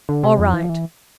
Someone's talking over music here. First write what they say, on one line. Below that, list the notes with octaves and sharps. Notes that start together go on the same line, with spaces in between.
'All right.
D3
C3
F2
E3
F3
E3